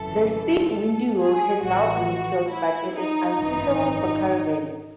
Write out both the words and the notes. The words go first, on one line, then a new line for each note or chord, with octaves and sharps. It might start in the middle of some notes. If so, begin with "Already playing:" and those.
The steep windy road has now been sealed, but it is unsuitable for caravans.
Already playing: G#1 F#2 C#3 E3 A4
A4
G#4
A1 A2 E3 F#4
F#4
E4
D#4
G#1 F#2 E3